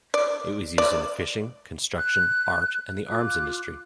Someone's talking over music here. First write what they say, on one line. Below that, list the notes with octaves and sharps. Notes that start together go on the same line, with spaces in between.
It was used in the fishing, construction, art and the arms industry.
D5
D5
F#6
F4 D6 F#6